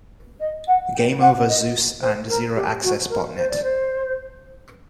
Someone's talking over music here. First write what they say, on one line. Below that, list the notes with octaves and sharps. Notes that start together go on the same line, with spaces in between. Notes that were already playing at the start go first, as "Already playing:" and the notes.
Gameover ZeuS and ZeroAccess botnet.
D#5
F#5
G5
F#5
D#5
C5
A#4
G4
F#4
A#4
C5
D5
C5